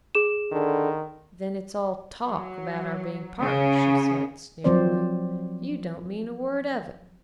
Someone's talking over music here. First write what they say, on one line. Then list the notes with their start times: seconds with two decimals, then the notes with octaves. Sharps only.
"Then it's all 'talk' about our being partners," she said, sneeringly. "You don't mean a word of it."
0.15 G#4 E7
0.51 D3 D#3
2.26 F#3
3.41 C#3
4.64 F3 F#3 C4 C5 D5